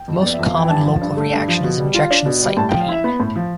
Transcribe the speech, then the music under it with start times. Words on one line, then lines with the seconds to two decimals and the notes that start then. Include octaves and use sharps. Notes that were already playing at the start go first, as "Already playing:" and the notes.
The most common local reaction is injection site pain.
Already playing: G5
0.08 F2
0.21 B3 D5
0.33 E5
0.39 F2
0.46 F5
0.54 E3 G5
0.69 G2 A5
0.86 F3
1.01 G2
1.17 A3
1.33 G2
1.48 F3
1.64 B2
1.79 G3
1.94 F4
2.11 D4
2.25 B2
2.41 G3
2.57 A2 A5
2.69 F3 G5
2.80 F5
2.88 E4 E5
3.04 B3 B5
3.20 A2
3.36 F3